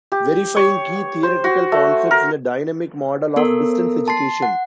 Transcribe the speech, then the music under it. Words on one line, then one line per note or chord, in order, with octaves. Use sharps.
Verifying key theoretical concepts in a dynamic model of distance education.
G4
C#5
C5
F#4
A3
A#4
B3 A4 A#4
A5 C6 C7
F#5